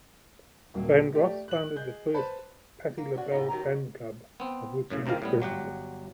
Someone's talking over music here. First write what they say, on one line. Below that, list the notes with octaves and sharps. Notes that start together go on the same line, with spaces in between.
Vandross founded the first Patti LaBelle fan club, of which he was president.
D#1 F#3 A#3
A3 G4 D5
F#6 F#7
G#4 D#5 G6
B4 C5 A5 B5
A#3
C#4 D4 F#4
D#2 A2 D#4
D#3 F#3 G4 A#5
F2 F#3
B3 C4
F#2 A2 C#3
C#2 C3 D#3 A#3 F5
A2 G3 B3
G1 F#3 G4 F#5